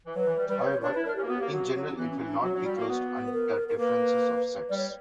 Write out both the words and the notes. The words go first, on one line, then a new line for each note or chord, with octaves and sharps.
However, in general it will not be closed under differences of sets.
E3
F#3 B4
E3
G3
G3 B4
B3 C#5
C#5
D4 C#5
E4 B4
D4 A#4
C#4 G4
A#3
B3 F#4
A#3 G4
F#3 F#4
F#3
C#4
E3 B3
C#4
E3
D4
F#3 F#4
F#3
G3
A#3
B3
B4
A#4
A#4
A#3 B4
G3 D5
C#5